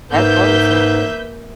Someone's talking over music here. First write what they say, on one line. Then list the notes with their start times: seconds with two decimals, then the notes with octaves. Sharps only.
that's always something.
0.11 G#2 A#3 B4 E5 G6 B6